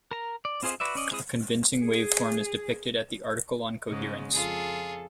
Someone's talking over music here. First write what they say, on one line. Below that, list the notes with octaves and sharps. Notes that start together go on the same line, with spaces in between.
A convincing waveform is depicted at the article on coherence.
A#4 A#5
D5
C4 F4 G#4 C5 D#5
F#4 B4 D5 E5
C#4 D5 D#5
G#3 C4 E4 G#4 D#6
G#4
G#2 C#3 G#3
F2 F4 G#4 A4